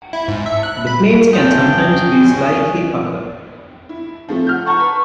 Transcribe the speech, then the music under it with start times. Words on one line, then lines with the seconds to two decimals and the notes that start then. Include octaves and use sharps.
The planes can sometimes be slightly puckered.
0.13 E4
0.28 G#2
0.46 E5
0.63 F#6
0.87 B5
1.33 C#4 F4 G#4 D#5 G5 A5 D#6
3.89 E4
4.28 F3 A3 C4
4.47 F#5 F6 G6
4.66 F#5 A5 A#5 C#6
4.80 B4